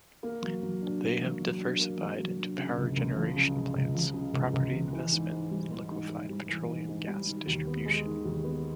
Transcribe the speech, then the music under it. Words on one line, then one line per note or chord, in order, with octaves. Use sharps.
They have diversified into power generation plants, property investment, and liquefied petroleum gas distribution.
A#3
F#3
F#3
D4
A#3
F#3
F#3
D4
A#3
F#3
F#3
D4
C#3
C#2
C#2
F3
C#3
C#2
C#2
F3
C#3
C#2
C#2
F3
E3
G#2
G#2
G3
E3
G#2
G#2
G3
E3
G#2
G#2
G3
D#3
D#2
B3
G#3
D#3
D#2
B3